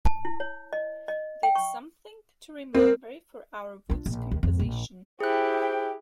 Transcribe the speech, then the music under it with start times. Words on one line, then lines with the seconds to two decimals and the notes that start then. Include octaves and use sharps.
That’s something to remember for our woods composition.
0.06 A5
0.25 E4
0.40 C#5
0.73 D#5
1.08 D#5
1.43 G5
1.55 C#6
2.75 C4 A#4
3.90 D4 F4
4.06 A#1
4.31 D#2
4.43 F2 G#2
4.59 A#1
5.20 E4 G4 G#4 C5 G5 F#6